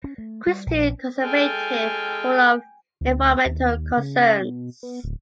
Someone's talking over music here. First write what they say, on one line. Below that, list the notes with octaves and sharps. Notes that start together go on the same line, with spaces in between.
Christian conservative, full of environmental concerns.
C#4
A3
G3
A#1
G#3 A4 G5 G#5 F6
D2
D#2
C#3
B2
B3
D1